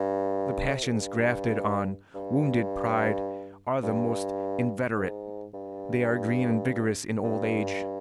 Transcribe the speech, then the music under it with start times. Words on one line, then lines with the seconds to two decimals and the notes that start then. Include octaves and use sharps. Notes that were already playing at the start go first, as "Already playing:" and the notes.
The passions grafted on wounded pride are the most inveterate; they are green and vigorous in old age.
Already playing: G2
0.67 D3
0.76 C3
0.84 A#2
0.92 G#2
1.01 G2
2.14 G2
3.83 G2
4.96 G#2
5.54 G2
7.24 G2